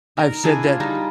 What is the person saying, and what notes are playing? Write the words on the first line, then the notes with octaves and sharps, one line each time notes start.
I've said that,
D#4 A#4
D4 E4 G#4 D5
F4
G3 D#4